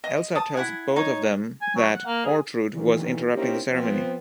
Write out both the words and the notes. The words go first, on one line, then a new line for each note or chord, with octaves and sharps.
Elsa tells both of them that Ortrud was interrupting the ceremony.
D#5
A5 D#6
E4 F#5 G#5
D#4 C#5
G#5
F#3
F#5
A#3
G#4
D2 A#2 D#3 E3
A#3 C4 C#4 D#4 E4 G4
F3 B3 C4